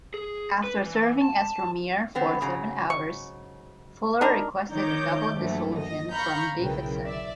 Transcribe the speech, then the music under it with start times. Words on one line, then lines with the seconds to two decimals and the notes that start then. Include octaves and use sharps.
After serving as Premier for seven hours, Fuller requested a double-dissolution from Davidson.
0.14 G#4
0.64 B4
0.83 E3
1.22 A5
2.15 D3 B3 C4
2.41 G#2 C#3 F#3
2.90 C#6
4.21 G3 D4 D#4 A#4
4.72 D#3 D#4 C#5 A#5 D6 G6
5.36 D2 G2 A#2 E3 F#3 A3
5.80 D#5
6.12 F5 A#5 B5 C#6 F6 G6
6.58 B1 C#3 E4 A#4 B4 G5
7.04 D5 E5